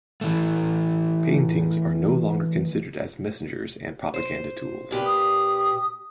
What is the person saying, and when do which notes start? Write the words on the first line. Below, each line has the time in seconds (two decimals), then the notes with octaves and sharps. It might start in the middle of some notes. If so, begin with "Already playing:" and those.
Paintings are no longer considered as messengers and propaganda tools.
0.21 E3 A3
4.14 C5
4.91 A#2 G4 B4
5.06 D#6